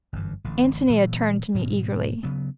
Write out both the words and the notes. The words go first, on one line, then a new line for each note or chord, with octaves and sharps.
Antonia turned to me eagerly.
G1 F#2 E3
A1 D3
A#2 E3 F#3
G#2 B2 D#3 F#3
C#3 F#3 B3